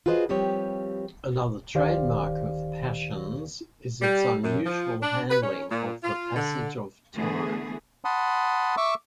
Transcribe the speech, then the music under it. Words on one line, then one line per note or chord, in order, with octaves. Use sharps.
Another trademark of "Passions" is its unusual handling of the passage of time.
F4 F#4 G#4 B4 C5 D#5
F3 G3 C4 G4 B4 C#5
D2 D#3 G4 C5 D5 F5
G3
F#2
F3
D4
B4
C#4
A#2
F4
D3
D3 E3 A3 B3 G#4
F#5 A5 B5 C6 D#6
E5 C#6 D6 E6